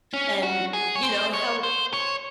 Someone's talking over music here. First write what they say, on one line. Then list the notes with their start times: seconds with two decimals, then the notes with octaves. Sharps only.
and, you know, how
0.13 C#4
0.43 F#4
0.73 G#4
0.95 C#5
1.04 C5
1.33 C#5
1.63 C5
1.93 C#5